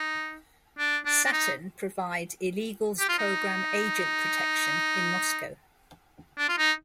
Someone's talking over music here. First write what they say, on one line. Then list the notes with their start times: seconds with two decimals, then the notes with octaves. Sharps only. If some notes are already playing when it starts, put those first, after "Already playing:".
Saturn provide illegals program agent protection in Moscow.
Already playing: D#4
0.79 D4
1.05 D4
1.25 D4
1.32 D#4
2.99 G4
3.09 F4
3.18 D#4
6.38 D4
6.49 F4
6.58 D#4